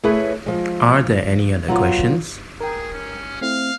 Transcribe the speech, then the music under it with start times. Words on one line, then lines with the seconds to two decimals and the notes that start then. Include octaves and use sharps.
Are there any other questions?
0.03 A3 E4 G#4 B4 C#5
0.46 F3 G#3
1.68 F#3 B3 F4
2.60 G#4 A#4 G5
2.93 C#4
3.41 A3 C4 E4 F5